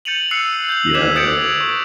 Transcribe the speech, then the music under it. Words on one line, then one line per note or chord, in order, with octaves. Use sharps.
You know what I mean?
G6 A6 C#7 D#7 F7 F#7
E6 F#6 C7 C#7
G6 F#7
D6 E6 F#6 G#6 B6 E7
D#6 G6 A6 C#7 D7 F7
C#6